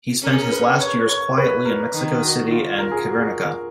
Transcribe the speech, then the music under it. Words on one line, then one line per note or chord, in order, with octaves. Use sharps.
He spent his last years quietly in Mexico City and Cuernavaca.
C#4 A#4
G#4
A#4
B4
C#5
C#5
B4
A#4
D#3
F#4
F4
A#4
G#4
F#4
G#4